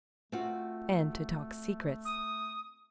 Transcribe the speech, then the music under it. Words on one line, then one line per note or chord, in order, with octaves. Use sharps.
"And to talk secrets."
A3 C4 F4 F#4
D#6